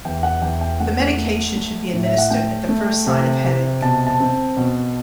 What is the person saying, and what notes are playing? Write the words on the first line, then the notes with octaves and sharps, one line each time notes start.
The medication should be administered at the first sign of headache.
E2 G5
F#5
E2 G5
G5
A3 F#5
A3
A3
A2
E5
F#5
A3 G5
A3
C3
C3
B2 A5
A5
C4
B2